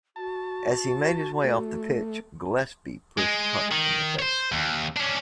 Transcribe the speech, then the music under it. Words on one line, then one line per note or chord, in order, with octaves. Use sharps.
As he made his way off the pitch, Gillespie pushed Hunt in the face.
F#4 A5
A3
G#3
D#3
C5 C#5
D#2
C#4 D4